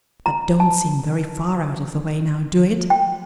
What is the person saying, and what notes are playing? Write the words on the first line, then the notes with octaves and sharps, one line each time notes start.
That don't seem very far out of the way now, do it?'
A#5
A5
G5